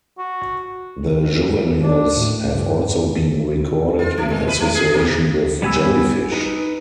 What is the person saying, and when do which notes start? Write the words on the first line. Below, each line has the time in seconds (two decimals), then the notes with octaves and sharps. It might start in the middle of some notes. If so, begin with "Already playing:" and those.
The juveniles have also been recorded in association with jellyfish.
0.18 F#4
1.82 D4
2.18 A2
2.50 G2
3.99 F4
4.18 A3
4.30 G#3
4.48 B4
4.60 A3
4.75 G#4
4.94 B2
5.62 G3 B3 G#5 B5 E6
6.32 D#4 B4